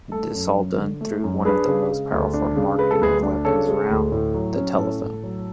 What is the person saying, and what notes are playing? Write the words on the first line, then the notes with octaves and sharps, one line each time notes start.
This all done through one of the most powerful marketing weapons around, the telephone.
A3 A4
F#2
F#2
D3
A3
F#2
D4 G#4 B4
C#3
G#3
D2
D4
C#3
G#3 B4
A4
D2 G#4 B4
D4
C#3 A4 C#5
G#3
D2
A2
F#3
C#4
A2 A4
A2
F#3